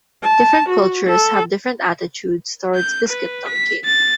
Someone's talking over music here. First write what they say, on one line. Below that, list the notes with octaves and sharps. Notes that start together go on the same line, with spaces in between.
Different cultures have different attitudes toward biscuit dunking.
A5
F#4
A4
G6
B4
B6
A6